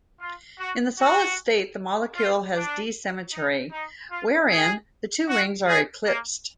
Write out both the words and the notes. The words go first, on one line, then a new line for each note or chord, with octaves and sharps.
In the solid-state, the molecule has D symmetry, wherein the two rings are eclipsed.
F4
F#4
F#4
F4
D4
D#4
D#4
F4
G#4
F#4
G#4
A#3